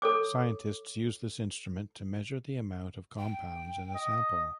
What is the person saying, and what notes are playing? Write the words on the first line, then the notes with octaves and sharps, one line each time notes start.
Scientists use this instrument to measure the amount of compounds in a sample.
A4 C#5 D6
G5
D#5